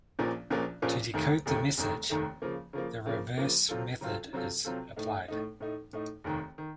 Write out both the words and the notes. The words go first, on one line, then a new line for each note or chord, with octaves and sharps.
To decode the message, the reverse method is applied.
A#1 A#2 F3 A#3 C#4
A#1 A#2 F3 A#3 C#4
A#1 A#2 F3 A#3 C#4
F1 D#2 D#3 A3
F1 D#2 D#3 A3
F1 D#2 D#3 A3
F1 D#2 D#3 A3
C#3 F3 A#3
C#3 F3 A#3
C#3 F3 A#3
C#3 F3 A#3
C3 F#3 C4 F4 A4
C3 F#3 C4 F4 A4
C3 F#3 C4 F4 A4
C3 F#3 C4 F4 A4
A2 A3 D#4
A2 A3 D#4
A2 A3 D#4
A2 A3 D#4
F1 D#2 D#3
D#3